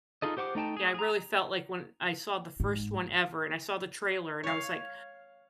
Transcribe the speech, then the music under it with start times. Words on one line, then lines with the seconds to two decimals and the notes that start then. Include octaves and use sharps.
Yeah, I really felt like, when I saw the first one ever and I saw the trailer and I was like,
0.22 D#4 F4 G#4 A4 D#5
0.37 G4 C5 F#5 C#6 D6
0.55 A3 D#4 G5 A5
0.77 G#4
0.94 G#4 A#5
2.60 G#2
4.43 C#5 F5